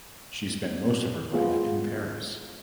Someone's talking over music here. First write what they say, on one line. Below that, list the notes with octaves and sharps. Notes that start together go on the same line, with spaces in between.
She spent most of her life in Paris.
G#3 B3 F4 G#4